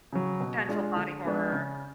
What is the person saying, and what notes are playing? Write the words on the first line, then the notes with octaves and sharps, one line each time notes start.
potential body horror.
C#3 F#3
B2
G#3 D4 F4
D3
F3 G#3 B3 D4
C#3